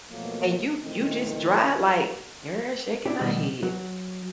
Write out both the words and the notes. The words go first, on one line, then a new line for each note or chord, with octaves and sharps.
And you you just dry like, "Girl, shaking my head.
B2 F3 F#3 A3 A#3
A#2 D#3 A3 C4 D#4 E4
D4 E4 G4
B2 D#3 G3 D#4 G4
F#3